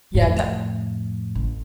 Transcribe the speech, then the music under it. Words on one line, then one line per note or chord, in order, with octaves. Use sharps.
Yeah, th
F2 A2
A1